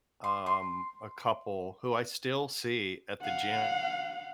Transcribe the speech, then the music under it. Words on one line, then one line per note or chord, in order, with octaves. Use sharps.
um, a couple who I still see at the gym
C6
C6
F5 F#5